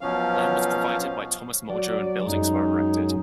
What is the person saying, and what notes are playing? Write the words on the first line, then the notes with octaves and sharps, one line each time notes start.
Land was provided by Thomas Muldrow and buildings were erected.
B2 F3 F#3 C#4 F5
F#3 D5
F#2 G#3 D#4